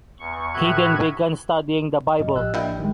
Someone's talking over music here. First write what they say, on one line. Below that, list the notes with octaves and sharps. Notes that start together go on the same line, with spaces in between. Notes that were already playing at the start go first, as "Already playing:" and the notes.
He then began studying the bible.
E2 C#6
A2 F#4 B4 E5 F#6 G#6
G2 A#2 F#3 D#5
A1 F3 G4 E6 F#6
A#2 D4 E4 G5
D#3 G#3